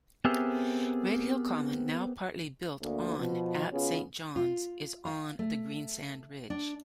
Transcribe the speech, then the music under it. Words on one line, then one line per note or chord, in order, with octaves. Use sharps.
Redhill Common, now partly built on at St John's, is on the Greensand Ridge.
B3 C4 G4 G#4 A#4 E5
D2 A#3
B2 F3
C#3 B3 C#4 F4 G#4
F4
F5
A3
D4